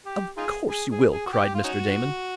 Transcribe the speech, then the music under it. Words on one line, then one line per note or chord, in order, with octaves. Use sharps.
"Of course you will!" cried Mr. Damon.
G4
D#4 F4 G#4
G#4
G#4
G#4
F#4
G4
F4
C#4 D#4 F#4